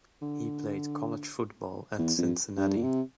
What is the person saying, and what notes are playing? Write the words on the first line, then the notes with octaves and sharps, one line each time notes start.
He played college football at Cincinnati.
D3
E2
F2
G2
A#2
C3